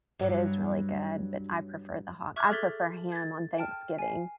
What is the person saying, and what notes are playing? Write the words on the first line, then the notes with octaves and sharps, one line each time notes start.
It is really good, but I prefer the hog. I prefer ham on Thanksgiving,
G2 F#3
E5 C#6 D6 F6 F#6 G#6
G#4 A4 G#6 A6 B6 G7
G#6 A6
G5 A5 F6
G#5 C7